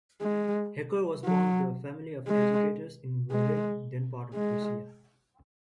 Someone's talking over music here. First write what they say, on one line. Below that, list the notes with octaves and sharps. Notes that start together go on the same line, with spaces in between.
Hecker was born to a family of educators in Werden, then part of Prussia.
G#3
F#3
G#3
G#3
G#3